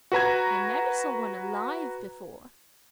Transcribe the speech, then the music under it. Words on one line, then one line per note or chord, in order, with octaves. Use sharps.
I never saw one alive before!'
F#4 B4 A#5 G#6